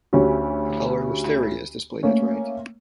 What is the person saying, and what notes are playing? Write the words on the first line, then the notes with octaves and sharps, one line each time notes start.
The color wisteria is displayed at right.
D2 C#4 F#4 G4
A3 A#3 C#4